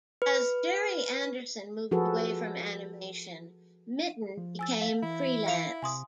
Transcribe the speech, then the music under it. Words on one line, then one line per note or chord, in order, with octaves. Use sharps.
As Gerry Anderson moved away from animation, Mitton became freelance.
B4
F3 F#4 G#4 A4 B4
F3
G#5 E6 A6
F5 B6
E3 E4
E5 F5 F7
C3 G#5 C6 D#6